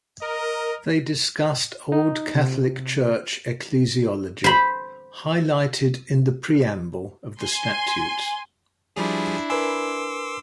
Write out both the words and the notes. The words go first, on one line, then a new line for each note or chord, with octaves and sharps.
They discussed Old Catholic Church ecclesiology, "highlighted in the Preamble" of the Statutes.
A#4 D#5
D#4
C3
C5 B5
G#5 C6
F3 G3 D4 E4 G#4
A#4 B4 G#5 C6 D6 E6